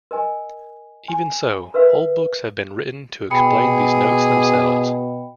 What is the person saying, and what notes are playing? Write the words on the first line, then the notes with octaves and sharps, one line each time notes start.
Even so, whole books have been written to explain these notes themselves.
A#4 D#5 G#5
G#5
A#4 B4 E5 F5
B2 G#4 G5 B5 C#7